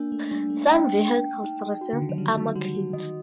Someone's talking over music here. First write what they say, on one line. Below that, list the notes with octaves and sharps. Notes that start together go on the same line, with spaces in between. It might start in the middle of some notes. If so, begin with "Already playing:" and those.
Some vehicles received armor kits.
Already playing: A#3 D4
A3
G3 D4
A3
G5
G5
D#4
F#4
D3
D#3
F#3
G3 D#4
F#3
G3 F#4
F#3
D#3 D#5